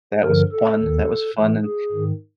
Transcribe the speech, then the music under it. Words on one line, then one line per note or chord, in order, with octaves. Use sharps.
that was fun, that was fun, and
G2 D3 F3 A#4
A4
D#2 D#3
A2 E3
G#4
G#2 D#3